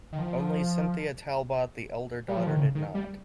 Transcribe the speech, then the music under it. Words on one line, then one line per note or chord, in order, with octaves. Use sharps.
Only Cynthia Talbot, the elder daughter, did not.
D#3
F3
G3
F3
D#3
C#3
D#3
G3